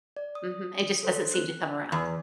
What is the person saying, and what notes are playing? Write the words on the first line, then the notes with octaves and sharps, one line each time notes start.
Mhm, it just doesn't seem to come around.
D5
D#6
A4 C5
F#6
E2